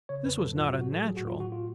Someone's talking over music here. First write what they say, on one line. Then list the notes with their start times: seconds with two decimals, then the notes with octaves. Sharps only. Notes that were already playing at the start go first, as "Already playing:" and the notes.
This was not unnatural.
0.09 C#3 C#5
0.25 F2 B4
0.41 F#3 A4
0.57 A2 F4
0.69 F#4
0.72 A2
0.81 F#4
0.88 F#3 A4
1.04 F#3 G#4
1.17 F#4
1.20 A2
1.28 F4
1.36 A2 F#4
1.52 F4